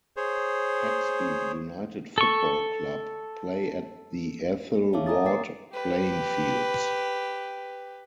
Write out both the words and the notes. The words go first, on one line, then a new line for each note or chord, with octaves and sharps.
Haxby United Football Club play at the Ethel Ward Playing Fields.
G#4 C5 C#5
A4 C#6
G#4
C#5 E5 F5 A5 D6
C#5 G#5 A#5 D#6 A6
A#3 A#4 D6 A6 C7
G4 B4